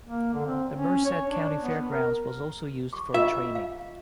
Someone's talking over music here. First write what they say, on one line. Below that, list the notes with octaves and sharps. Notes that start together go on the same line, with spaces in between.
The Merced County Fairgrounds was also used for training.
A#3
D3
C4
C#4
C#5
D4
B3
A#4
C#6 D6
F4 D#5 E5
F5